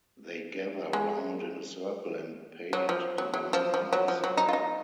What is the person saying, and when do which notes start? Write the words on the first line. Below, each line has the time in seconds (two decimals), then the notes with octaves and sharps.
They gather round in a circle and pay it divine honors.
0.93 G#3
2.73 F#3
2.89 F3
3.18 F#3
3.34 F#3
3.53 F3
3.74 F3
3.93 F#3
4.08 F3
4.24 F#3
4.37 D#4
4.49 F4
4.53 D#4